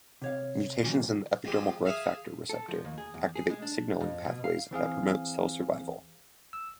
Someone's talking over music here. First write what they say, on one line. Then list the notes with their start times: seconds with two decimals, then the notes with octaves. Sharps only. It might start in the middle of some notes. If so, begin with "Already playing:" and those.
Mutations in the epidermal growth factor receptor activate signalling pathways that promote cell survival.
0.22 C3 C#5 F5
0.83 D#2 A#2 C#3 F#3
1.45 F3 G#3 C4 G4
1.85 G#4 E5 F5
2.50 A4
2.68 F3
2.85 D#2
2.98 G#4
3.14 E2
3.36 G#4
3.50 G#3
3.62 D4
4.00 F2
4.27 B2
4.44 F5
4.71 E3 C4 G#4 F5
6.53 E6